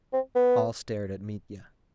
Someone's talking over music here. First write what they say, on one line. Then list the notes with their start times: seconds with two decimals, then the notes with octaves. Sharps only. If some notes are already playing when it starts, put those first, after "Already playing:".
All stared at Mitya.
0.13 C4
0.35 B3